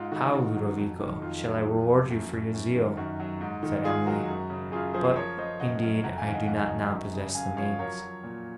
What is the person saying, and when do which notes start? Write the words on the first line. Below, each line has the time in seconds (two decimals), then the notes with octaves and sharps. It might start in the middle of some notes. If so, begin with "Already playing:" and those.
'How, Ludovico, shall I reward you for your zeal?' said Emily: 'but, indeed, I do not now possess the means.
Already playing: G#2 F4
0.12 D#3 F#4
0.34 G#2 F#4
0.57 F#3
0.78 F2
1.00 D#3
1.21 F2 F4
1.44 F#3
1.66 F3
1.88 F3
2.10 F#2
2.31 F#2
2.54 F#2
2.76 D#3
2.97 F#2 F#4
3.20 F#3
3.41 G#2
3.63 D#3
3.84 G#2 F4 G#4
4.06 F#3 F#4 A#4
4.28 F#2
4.50 C#3
4.72 F#2 F4 G#4
4.94 F3 G#4 C5
5.16 F3 A#4 C#5
5.38 F3 C5 D#5
5.60 F#2 D#5 F#5
5.82 F#2
6.03 F2 F#5 A#5
6.18 F5 G#5
6.26 D#3
6.33 D#5 F#5
6.47 F2 F#5
6.57 G#5
6.67 F#3 D#5 F#5
6.92 F#2
7.13 C#3
7.35 F#2 F5 G#5
7.57 F3 C#5 F5
7.79 F#3 A#4 C#5
8.01 F#3
8.24 A#2